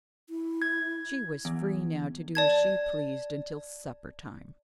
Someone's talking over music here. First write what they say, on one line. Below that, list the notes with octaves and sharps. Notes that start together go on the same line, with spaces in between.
She was free now to do as she pleased until supper-time.
E4
G#6
E2
D5 A5 G#6